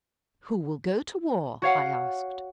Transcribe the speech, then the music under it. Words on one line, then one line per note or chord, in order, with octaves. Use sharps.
"Who will go to war?" I asked.
F#4 C#5 F5 F#5